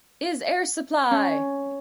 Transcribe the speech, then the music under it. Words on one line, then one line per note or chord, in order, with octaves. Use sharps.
Is Air Supply!
C#4